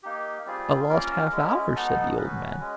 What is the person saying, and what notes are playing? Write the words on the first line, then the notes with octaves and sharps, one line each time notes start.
"A lost half-hour?" said the old man.
A#3 D#4 G4
G3 C4 F4 G#4
A#3 C#4 F4 A#4
G#3 C#4 E4
B3 D#4 F#4 A4
C#4 F#4 B4
G#3 C#4